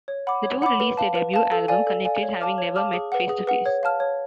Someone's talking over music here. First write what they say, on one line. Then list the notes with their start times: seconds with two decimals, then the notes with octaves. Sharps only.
The two released their debut album, "Connected", having never met face to face.
0.08 C#5
0.27 F#5 B5 D6
0.44 C#5
0.62 F#5 B5 D6
0.80 B4
0.97 F5 A5
1.15 B4
1.34 F5 A5
1.52 A4
1.68 D5 F5 G#5
1.87 A4
2.05 D5 F5 G#5
2.23 C#5
2.41 F5 A5 D6 F6
2.58 C#5
2.76 F5 A5 D6 F6
2.93 G#4
3.12 B4 F#5
3.29 G#4
3.47 B4 F#5
3.66 C#5
3.83 F5 A5 F6
4.00 C#5